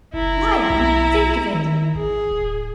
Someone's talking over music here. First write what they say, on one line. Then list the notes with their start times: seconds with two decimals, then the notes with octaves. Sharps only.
Why, Anne, think of it!
0.14 F#1 E4 A#5
0.70 B1
1.53 D#3
1.95 G#1 G#4
2.31 D1